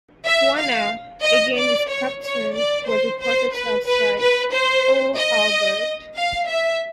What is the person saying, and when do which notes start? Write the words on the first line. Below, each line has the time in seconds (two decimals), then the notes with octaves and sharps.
Warner, again his captain, was reported to have sighed: Oh, Albert.
0.25 E5
0.58 F5
1.23 D#5
1.57 D5
1.89 C#5
2.23 C#5
2.55 D5
2.87 C5
3.21 C5
3.54 B4
3.87 B4
4.19 B4
4.52 C5
5.17 D#5
6.16 F5
6.48 E5